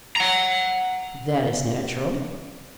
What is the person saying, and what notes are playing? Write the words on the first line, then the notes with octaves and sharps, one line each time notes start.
"That is natural."
F#5 A#5